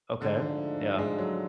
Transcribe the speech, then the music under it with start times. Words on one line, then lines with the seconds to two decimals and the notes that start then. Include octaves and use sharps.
Okay. Yeah.
0.21 G#2 D3 F3 A3 D4
0.99 G#3
1.18 F#3